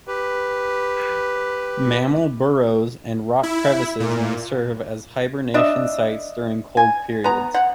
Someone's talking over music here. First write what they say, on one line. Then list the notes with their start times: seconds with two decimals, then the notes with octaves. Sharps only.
Mammal burrows and rock crevices may serve as hibernation sites during cold periods.
0.08 G4 B4
3.43 E4
4.00 A#2
5.54 D4 D#5 E5
6.77 G#5
7.24 B3 A#5
7.54 F#5